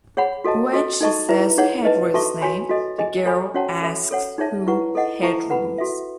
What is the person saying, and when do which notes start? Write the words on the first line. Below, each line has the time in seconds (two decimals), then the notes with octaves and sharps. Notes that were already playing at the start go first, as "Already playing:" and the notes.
When she says Hedril's name, the girl asks who Hedril is.
0.17 G#4 C#5 F#5 B5
0.44 F#4 A4 D#5 A5
0.73 F#4 A4 D#5
1.01 D#4 A4 D#5 A5 C#6
1.29 E4 B4 E5
1.58 D#4 G#4 C#5 F#5
1.85 B4 D#5 A5
2.14 F#4 A4 E5 A5 C#6
2.41 F#4 C#5 G#5 B5
2.69 F#4 A4 D#5
2.98 G#4 D#5 G#5
3.26 A4 C#5 G#5 B5
3.54 C#4 F#4 C#5 F#5 A5
3.82 A4 E5 B5
4.11 A4 C#5 F#5
4.38 D#4 G#4 C#5 E5 A5
4.66 E4 B4 F#5 C#6
4.95 A4 D#5 F#5
5.22 E4 A4 E5 A5 C#6
5.50 B4 F#5 B5
5.78 F#4 A4 E5